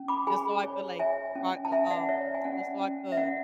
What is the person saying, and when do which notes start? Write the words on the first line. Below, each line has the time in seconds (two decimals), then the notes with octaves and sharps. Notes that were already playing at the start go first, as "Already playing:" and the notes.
Just so I could, like, pro l um, just so I could
Already playing: C#4
0.08 B5 D6
0.27 G#4 G#5 B5
0.64 C#5
0.99 C#5 E5 G#5
1.35 C#4
1.65 A5
1.72 C#4 E5 G#5
1.90 D5 F#5
2.09 C#5 E5
2.34 G#5
2.44 C#4 D5 F#5
2.81 C#4
3.12 E5
3.17 C#4 D5 F#5